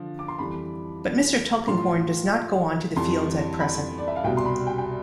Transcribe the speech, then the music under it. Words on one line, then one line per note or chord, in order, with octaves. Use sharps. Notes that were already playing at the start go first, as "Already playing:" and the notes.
But Mr. Tulkinghorn does not go on to the Fields at present.
Already playing: D3 F3
D6
C6
F2 E3 G3 B5
A2 F3 C6
F2 E3 G3 C6
B5
D5
E5
F5
C2 B2 G3 G5
C6
B5
G5
G5